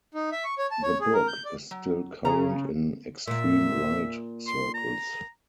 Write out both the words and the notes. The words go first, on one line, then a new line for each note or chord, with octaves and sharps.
The book is still current in extreme-right circles.
D#4
E5
C#6
C#5
A5
C#5
G#4
A#4
G6
D5
F#3
C#3 A#5
A#2 A#3 E5
C6
A#5